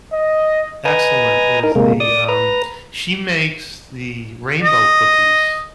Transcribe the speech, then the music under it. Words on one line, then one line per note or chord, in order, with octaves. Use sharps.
excellent, is the, um she makes the rainbow cookies.
D#5
B4 D#5 G#5 A#5
D#4 A#4
C3 G#3 A#3
D5 D#6
B4 A#5
D#5